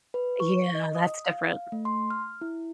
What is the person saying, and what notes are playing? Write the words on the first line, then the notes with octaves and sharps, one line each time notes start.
Yeah, that's different.
B4
C#6
D#5
D#6
F5
A3
C6
F6
E4